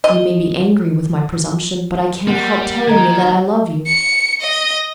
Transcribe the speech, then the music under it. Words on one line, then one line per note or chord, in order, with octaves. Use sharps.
You may be angry with my presumption, but I can't help telling you that I love you.
D#5
G3 A#3 F#5
D#3 D#5 A#5 G#6
C#7
D#5